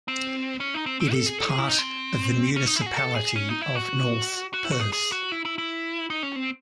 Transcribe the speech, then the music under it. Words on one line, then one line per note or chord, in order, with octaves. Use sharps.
It is part of the Municipality of North Perth.
C4
C#4
D#4
C4
C4
A4
G#4
A4
G#4
E4
D#4
C4
C#4
D#4
E4
G#4
F#4
A4
G#4
C#4
D#4
E4
F#4
F#4
E4
F#4
G#4
G#4
F#4
E4
E4
E4
D#4
C#4
C4